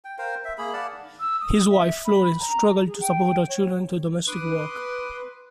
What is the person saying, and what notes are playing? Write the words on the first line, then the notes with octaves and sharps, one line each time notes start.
His wife Florence struggled to support her children through domestic work.
G5
A#4 C5 F5 G5
E5
A#3 G#4 B5
D5 F5 F#5 A5
E6
D#6
E5
B5
A#5
G#4
G5
C#5
B4 C6 D6 D#6